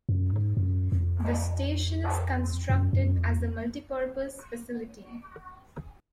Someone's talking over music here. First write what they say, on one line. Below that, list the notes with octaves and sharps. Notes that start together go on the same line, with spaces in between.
The station is constructed as a "Multi-Purpose Facility".
F#2
G#2
F#2
F2
F#2
F#2
F2